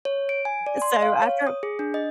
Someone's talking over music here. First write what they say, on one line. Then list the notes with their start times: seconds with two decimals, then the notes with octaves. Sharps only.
And so, after
0.05 C#5
0.29 D7
0.45 G#5
0.66 D5
0.82 C6
1.02 F5
1.22 C#5
1.47 D#6
1.63 G#4
1.79 D4
1.94 D#5